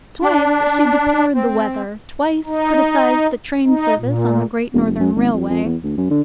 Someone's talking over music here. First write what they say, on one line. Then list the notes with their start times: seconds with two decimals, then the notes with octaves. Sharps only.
Twice she deplored the weather, twice criticized the train service on the Great Northern Railway.
0.22 D4
1.35 C4
2.45 D#4
3.67 D#4
3.99 A#2
4.73 E1
4.85 F#1
5.00 F#2
5.15 G#1
5.33 F2
5.50 F2
5.65 E2
5.83 D2
5.97 F#2
6.10 D3